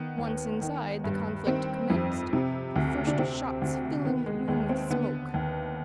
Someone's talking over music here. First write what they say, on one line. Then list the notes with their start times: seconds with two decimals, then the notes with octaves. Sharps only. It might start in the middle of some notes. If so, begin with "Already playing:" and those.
Once inside, the conflict commenced, the first shots filling the room with smoke.
Already playing: D#3 B3
0.18 D#2
0.61 D#3
1.04 G2
1.47 D#3 C4
1.90 F2
2.33 C3
2.76 D2
3.07 D4
3.19 C3 C4
3.62 D2
4.05 D#3 B3
4.26 G#3
4.48 D#2 G#3
4.69 C4
4.91 D3 B3
5.34 D#2